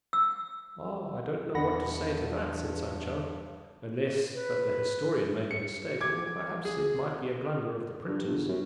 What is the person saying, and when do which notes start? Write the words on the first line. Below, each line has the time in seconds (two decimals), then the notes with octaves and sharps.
"I don't know what to say to that," said Sancho, "unless that the historian made a mistake, or perhaps it might be a blunder of the printer's."
0.13 E6
1.55 E2 G2 F#5 B5 A#6
4.35 B4
5.51 C#7
6.01 D6 G#6
6.65 G#4
8.07 G2
8.26 G1
8.48 F#2